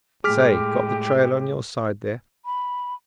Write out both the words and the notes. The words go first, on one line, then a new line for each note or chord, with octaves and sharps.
Say, got the trail on your side there?
A2 G#3 G4 G#4 D6 F6 B6
B5